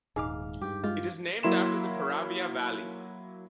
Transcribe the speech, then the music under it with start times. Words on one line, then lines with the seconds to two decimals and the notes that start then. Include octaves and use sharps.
It is named after the Peravia Valley.
0.16 D#1 G#2 G#4 F5 D6
0.61 G2 G4
0.84 G#3 F4
1.43 F#3 A#3 E4 C6 E7